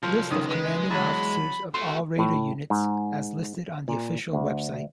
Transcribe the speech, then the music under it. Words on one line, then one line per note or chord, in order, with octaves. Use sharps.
List of commanding officers of all Raider units, as listed on the official website.
C2 F3 F#3
C#2 D#3 D#6
G#3 B4
E2 F#3 B5
A3 F#4 C6
A2
G#2
A#2
D2